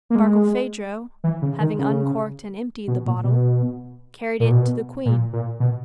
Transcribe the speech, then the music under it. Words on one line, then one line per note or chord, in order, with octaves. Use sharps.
Barkilphedro, having uncorked and emptied the bottle, carried it to the queen.
A#3
G#3
E3
C#3
D#3
C#3
B2
A#2
B2
A#2
B2
A#2
A#2
B2